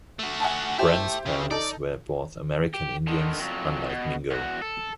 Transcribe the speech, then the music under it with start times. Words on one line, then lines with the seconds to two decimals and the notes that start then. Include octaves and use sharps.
Brant's parents were both American Indians, unlike Mingo.
0.19 A3 F#4
0.40 F#5 G#5 A5
0.78 E4 G4 C5 E5 A5
1.26 C#3
1.51 D#4 A4 D5
2.74 G4
3.07 D3 D#3
3.40 F2 F#3
3.89 B2
4.31 E2 F#4
4.62 A4